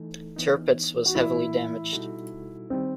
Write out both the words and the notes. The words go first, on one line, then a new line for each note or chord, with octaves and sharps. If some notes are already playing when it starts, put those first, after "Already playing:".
"Tirpitz" was heavily damaged.
Already playing: E3 A3 D#4 A4
E3 B3 D#4
F#4
A2 E3 A3 E4
B2 G3 D#4 F#4 A4
D#3 G3 C4 D#4